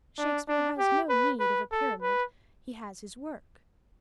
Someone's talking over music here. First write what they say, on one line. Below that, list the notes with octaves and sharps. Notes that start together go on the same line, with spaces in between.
Shakespeare has no need of a pyramid; he has his work.
D4
D4
G4
B4
B4
A4
B4